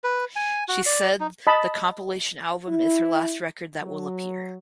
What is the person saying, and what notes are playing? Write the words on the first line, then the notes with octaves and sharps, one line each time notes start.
She said the compilation album is her last record that will appear.
B4
G#5
F#4
D5
D#4
D#5 A5 B5
E4
F#3